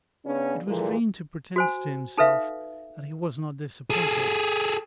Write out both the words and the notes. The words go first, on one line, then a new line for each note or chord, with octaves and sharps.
It was vain to pretend to himself that he was not disappointed.
C#3 B3 C#4 D4
A#2 D3 E3 G#3 A#3
F#4 C5 G#5
D#4 A4 B4 E5 F5
G#4 A4